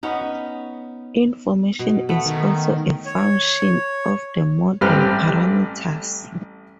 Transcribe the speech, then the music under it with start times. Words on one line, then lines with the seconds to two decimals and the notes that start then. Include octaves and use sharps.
Information is also a "function" of the model parameters.
0.03 B3 C#4 D#4
1.79 B2
2.09 A3 B3
2.26 D#3
3.06 C#5
4.81 A1 G3 C4 G4 B4 F6